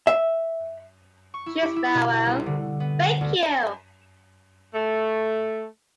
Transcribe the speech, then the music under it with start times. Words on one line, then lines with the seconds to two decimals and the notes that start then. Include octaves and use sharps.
She is very well, thank you.
0.07 E5
1.34 C#6
1.46 E4
1.62 G4
1.76 E4
1.94 B2
2.26 C2
2.46 D3
2.80 B3
3.21 D2
4.74 A3